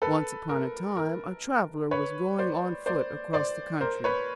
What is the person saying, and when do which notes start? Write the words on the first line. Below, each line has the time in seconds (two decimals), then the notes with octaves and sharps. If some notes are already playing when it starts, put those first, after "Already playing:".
Once upon a time, a traveler was going on foot across the country.
0.02 A4 B4
0.49 A#4
0.97 A#4
1.91 B4 C#5
2.39 C5 D5
2.86 C5 D5
3.33 C5 D5
3.81 A#4 C5
4.04 B4 C#5